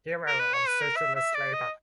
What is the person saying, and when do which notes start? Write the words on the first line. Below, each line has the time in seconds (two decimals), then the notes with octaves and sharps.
Hero of Socialist Labor.
0.27 A#4
0.39 B4
0.54 C#5
0.68 B4
0.82 A#4
0.96 E5
1.15 E5
1.35 D5
1.53 D#5